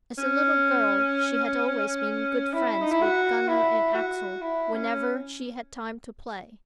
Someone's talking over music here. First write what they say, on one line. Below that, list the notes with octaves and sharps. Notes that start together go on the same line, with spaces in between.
As a little girl she had always been good friends with Gunner and Axel, whenever she had time to play.
C#4
E4
D#4
E4
F#4
E4
F#4
E4
C#4